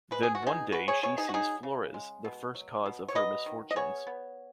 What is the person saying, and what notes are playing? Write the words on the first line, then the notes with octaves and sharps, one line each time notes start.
Then one day she sees Florez, the first cause of her misfortunes.
G#3 B4
G#4
F#4
B2 D#4 G#4
G#3 F#4 B4
G#4 C#5
B2 G#4 C#5
D#4 G#4
F#4
F#3 D#4 G#4
C#3
G#3
B2
F#3
B2
C#5
F#3 B4 D#5
D#3
D#5
B3 G#4 C#5
B3